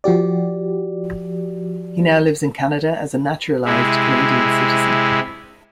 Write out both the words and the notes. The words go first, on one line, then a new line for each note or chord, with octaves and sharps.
He now lives in Canada as a naturalized Canadian citizen.
F3 F#4 G4 D5
C3 G#3 E4